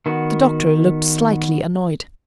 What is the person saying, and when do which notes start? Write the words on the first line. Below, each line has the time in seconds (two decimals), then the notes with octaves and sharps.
The doctor looked slightly annoyed.
0.06 D#3 B3 F#4